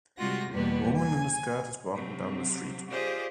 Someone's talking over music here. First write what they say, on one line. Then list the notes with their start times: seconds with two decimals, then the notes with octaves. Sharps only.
A woman in a skirt is walking down the street.
0.18 C3 G3 G#3 F4 F#4 A#6
0.51 E2 B2 G3 A#3 B3 B4
0.97 G#5
1.95 C3 F#3 C4
2.90 F4 G4 G#4 C5 D5 D#5